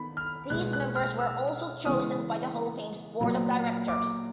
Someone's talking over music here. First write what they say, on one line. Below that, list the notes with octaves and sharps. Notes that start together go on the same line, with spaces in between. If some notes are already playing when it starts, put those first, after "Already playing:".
These members were also chosen by the Hall of Fame's Board of Directors.
Already playing: D#3 B3 B5
F6
B2 G#3 B3 F#6
F#6
F6
E6
C#3 E3 G#3 B3 D#6
A#2 F#3 B3
D6